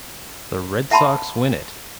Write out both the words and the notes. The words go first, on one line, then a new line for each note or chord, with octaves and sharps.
The Red Sox win it!
E5 F#5 A5 B5 C6